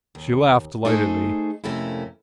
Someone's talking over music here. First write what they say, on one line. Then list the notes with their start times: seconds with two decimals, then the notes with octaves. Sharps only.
She laughed delightedly.
0.15 D#2
0.85 A3 D#4 G#4 C5
1.64 F2 C3 A3 A#3 C#4 E4